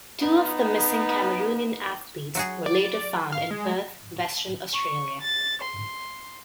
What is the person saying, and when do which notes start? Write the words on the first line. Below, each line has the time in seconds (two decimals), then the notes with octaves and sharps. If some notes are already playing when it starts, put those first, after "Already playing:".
Two of the missing Cameroonian athletes were later found in Perth, Western Australia.
0.20 B3 D#4
2.35 F#3 F#4 G#4
2.66 D5
3.32 F5
3.51 G#3
4.73 C#6
5.20 A6
5.61 C6